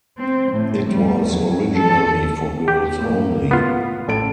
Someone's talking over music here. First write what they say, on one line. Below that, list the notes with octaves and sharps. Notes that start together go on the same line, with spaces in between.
It was originally for girls only.
C4
A2
G3
F#3
A4
G4
A2 A#3
B3 F4
A1 A4 D7